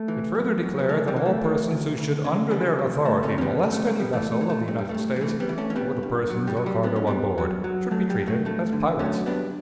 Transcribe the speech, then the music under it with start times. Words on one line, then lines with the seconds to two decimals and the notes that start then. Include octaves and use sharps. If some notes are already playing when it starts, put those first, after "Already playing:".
It further declared that all persons who should under their authority molest any vessel of the United States, or the persons or cargo on board, should be treated as pirates.
Already playing: A3
0.08 E3
0.35 F#2
0.63 F#2
0.79 B3
0.89 E3 A3
1.08 G3
1.16 E3
1.26 A3
1.44 E3
1.71 D2
1.98 D2
2.25 C#3
2.51 E3 G3
2.79 D2
3.05 D2 A3
3.23 A3 C#4
3.32 C#3
3.38 C#4
3.41 G3 B3
3.59 G2
3.72 A3
3.86 G2 A3
4.00 G3 B3
4.13 E3 A3
4.32 A3
4.41 E3
4.50 A3
4.68 G2 A3
4.78 G3
4.89 A3
4.95 G2
5.16 G3
5.21 E3 A3
5.40 G3 B3
5.49 E3
5.58 A3 C#4
5.70 C#4
5.76 G2 G3 B3
6.03 G2
6.30 F#3
6.47 G3
6.57 F#3
6.66 G3
6.83 G2 B3
6.96 C#4
7.07 G2 G3 B3
7.38 F#3
7.64 F#3
7.91 F#3 A3
8.10 G3
8.19 G2
8.28 A3
8.45 G2 A3
8.73 D3
8.99 F#3 A3 C#4
9.26 G2 B3 D4